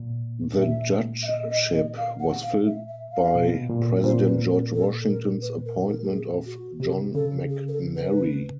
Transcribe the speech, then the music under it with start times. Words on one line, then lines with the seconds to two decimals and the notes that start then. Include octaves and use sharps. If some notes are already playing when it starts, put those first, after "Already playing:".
The judgeship was filled by President George Washington's appointment of John McNairy.
Already playing: A#2
0.58 A#2 E5
1.23 E5
1.27 D#5
1.51 D#5
1.74 D#5
1.97 F5
2.20 F#5
2.43 F5
2.66 E5
2.88 E5
3.12 F5
3.35 B2
3.69 A#2
4.04 A#2 C5
4.27 B4
4.50 A#4
4.74 A4
5.08 A#4
5.42 B4
5.66 A#4
5.88 A#4
6.03 G4
6.11 G#4
6.46 F#4
6.80 C3 G4
7.14 C#3 A4
7.50 G#4
7.68 A#4
7.72 A4
7.96 B4